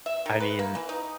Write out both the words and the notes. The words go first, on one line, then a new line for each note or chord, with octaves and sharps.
I mean,
E5
D#3
B4
A#3
E3
D#4